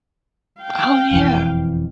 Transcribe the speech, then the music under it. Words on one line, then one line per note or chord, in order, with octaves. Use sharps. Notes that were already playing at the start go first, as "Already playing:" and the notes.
Oh, yeah.
F5 G5
E1 F2 E3